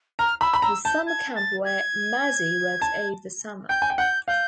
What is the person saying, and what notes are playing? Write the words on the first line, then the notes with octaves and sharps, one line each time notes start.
The summer camp where Maddie works over the summer.
A#5 F6
B5 E6
B5
A#5 E6
A5 G6
G#6
A6
G#6
A5
G5 G6
G#5
G5
F#5 G6
F5 G6